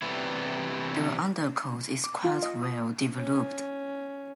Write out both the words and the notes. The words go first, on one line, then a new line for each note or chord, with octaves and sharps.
The undercoat is quite well developed.
C3 E3 G3 B3 E4
D6
F4
D#5
D#6
C#4